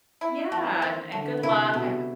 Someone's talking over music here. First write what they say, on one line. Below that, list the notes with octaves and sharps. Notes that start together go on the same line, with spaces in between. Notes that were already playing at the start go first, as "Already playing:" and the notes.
Yeah, and and good luck, I hope
E4
E2 E3 A3
D#3 C4
D3 A3
C3 E4
B2 A3